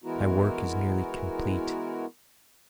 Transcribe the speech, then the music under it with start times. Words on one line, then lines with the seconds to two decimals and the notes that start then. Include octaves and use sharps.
My work is nearly complete.
0.04 E3 G#3 B3 E4 F#4 A#4